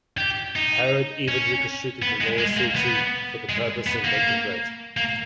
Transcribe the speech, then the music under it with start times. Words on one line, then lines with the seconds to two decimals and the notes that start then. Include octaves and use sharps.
Herod even reconstructed the lower city for the purpose of making bread.
0.18 G4
0.56 D#4
1.28 C#4
2.02 B3
2.21 G#3
2.39 G#3
2.57 A#3
2.76 B3
3.49 G#3
3.87 B3
4.04 A#3
4.97 A#3